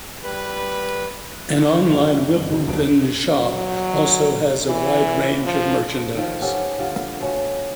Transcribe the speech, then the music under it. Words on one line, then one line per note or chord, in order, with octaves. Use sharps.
An online Wimbledon shop also has a wide range of merchandise.
G3 B4
F#1 A#3 F#4 G5 F7 G7
E5
G#1 G2 D#5 F#7 G7
D2 B2
D#1 B1 E3 D4 D#5 D7
F#3
E3
F3
D#3 F3
B3 C#4 G4 A4
D3 G3 F4
B2 A3 C#4